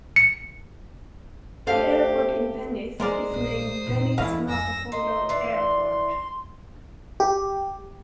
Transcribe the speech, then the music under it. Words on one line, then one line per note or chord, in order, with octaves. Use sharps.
The airport in Venice is named Venice Marco Polo Airport.
C#7
A3 G4 A4 C5 F5
G#3 A#4 C5 D5
A#1 G3 C5 D#6
F2 A#2 D#4
E2 A3 A#3 E4 D#5 F5
F2 F3 G#5 E6 A#6
D#4 C6
E3 D5 C6
G4